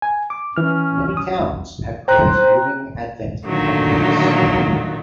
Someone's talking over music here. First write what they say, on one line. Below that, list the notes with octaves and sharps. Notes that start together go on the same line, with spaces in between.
Many towns have created living advent calendars.
G#5
D6
E3 C#4 F6
D#6
C5 G5 A#5 F#6
A#2 D3 D#3 F#3 A3